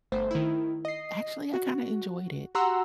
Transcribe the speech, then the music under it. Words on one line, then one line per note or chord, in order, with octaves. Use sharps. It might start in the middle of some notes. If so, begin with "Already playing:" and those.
actually, I kinda enjoyed it,
G1 A3 C5
D#3 E4
D#5 C7
F#4
F#4 G4 F#5 A#5 C6 E6